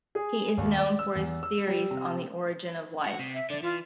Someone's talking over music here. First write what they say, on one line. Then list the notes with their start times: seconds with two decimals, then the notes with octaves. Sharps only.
He is known for his theories on the origin of life.
0.15 G#4
0.57 D#2
0.79 D5
0.99 E6
1.15 E2
1.43 E6
1.67 G3
1.91 C3
3.06 F#4
3.19 C3
3.34 E5
3.50 D3 D5
3.63 E3 F4